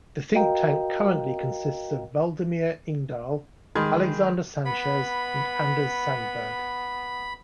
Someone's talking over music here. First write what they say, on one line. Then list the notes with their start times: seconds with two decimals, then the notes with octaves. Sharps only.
The think tank currently consists of: Waldemar Ingdahl, Alexander Sanchez, and Anders Sandberg.
0.34 F#4 A#4 D#5 F5 G5 A#5
3.75 D#3 G#3 G#4 B5 C6 G#6
4.65 B3 B5